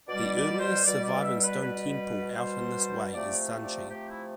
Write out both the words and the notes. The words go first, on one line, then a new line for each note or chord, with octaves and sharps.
The earliest surviving stone temple set out in this way is Sanchi.
B2 G3 D5
D5
C5
B2 G3 D5
D5
E5
B4
B2 G3 B4
B2 G3 C5
C3 F3 A3 D5
D5
C3 F3 A3 G4
E4